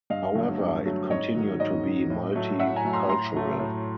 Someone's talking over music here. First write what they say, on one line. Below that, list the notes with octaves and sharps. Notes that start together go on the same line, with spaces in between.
However, it continued to be multi-cultural.
G2 D#5 F5
D3 F#3 A3
G2
D3 F#3 A3
G#2 C#5 D#5
D#3 F#3
G#2 C#5 D#5
D#3 F#3
A2
F#3 A3
A2 E5 F#5
G#5 A#5
F#3 A3
A#5 C6
A2 A#5 C6
F#3 A3
A2